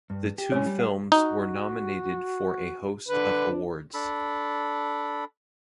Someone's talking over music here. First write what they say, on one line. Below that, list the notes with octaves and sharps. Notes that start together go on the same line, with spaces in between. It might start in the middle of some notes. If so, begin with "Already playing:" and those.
The two films were nominated for a host of awards.
G2
G4
A2 G#3 C#4 C#5 G#5
G3
F#5
D#4 F#4
D3 D4 B4
D4 A4 B5